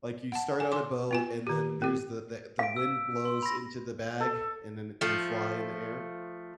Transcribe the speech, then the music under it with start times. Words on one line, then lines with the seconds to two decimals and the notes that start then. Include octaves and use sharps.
Like, you start on a boat, and then there's the the the wind blows into the bag, and then you fly in the air.
0.32 F#5 A5
0.60 G#5
0.72 G#5 C6 D6
1.11 B3 F4 G#5
1.47 D#3 G4
1.82 C4 G4
2.59 F5 B6 D7
2.76 E6
3.25 C6
3.42 B5 A#6
4.20 A4
5.01 F3 A3